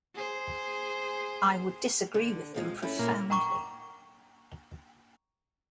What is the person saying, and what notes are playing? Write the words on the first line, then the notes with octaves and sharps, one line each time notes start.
I would disagree with them profoundly.
G#4 C5
D3
C3 F3 G#3
A3 C#4 E4
A#2 A#3
F#5 G5 A#5 C#6 D6